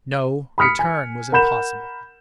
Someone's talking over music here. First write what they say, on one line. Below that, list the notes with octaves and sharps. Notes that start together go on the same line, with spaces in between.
No; return was impossible.
B5 D#6 F6 B6 C#7
G#5
A#4 F#5 B5 G6 E7